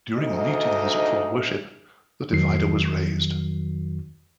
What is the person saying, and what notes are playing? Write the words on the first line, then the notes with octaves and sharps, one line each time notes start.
During Meetings for Worship, the divider was raised.
D2 G#2 D#4 D#5
F2 D#3 F#3 C7